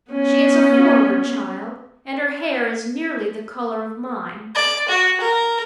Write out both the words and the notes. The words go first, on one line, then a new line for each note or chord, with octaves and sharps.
She is a forward child, and her hair is nearly the color of mine.
B3 C#4
D5
F#4
A#4